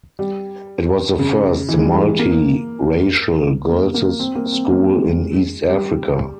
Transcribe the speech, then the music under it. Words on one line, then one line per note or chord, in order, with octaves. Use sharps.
It was the first multi-racial girls' school in East Africa.
G3
C#3
E3
G#3
G3
G#3
A#3
A#3
A#3
C4
A#3
C4
A#3
G#3
G3